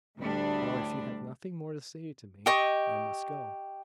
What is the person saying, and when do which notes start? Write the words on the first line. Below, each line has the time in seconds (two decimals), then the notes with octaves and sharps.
Now, if you have nothing more to say to me, I must go.
0.18 D2 A2 G3 D4
2.46 G4 D#5 C#6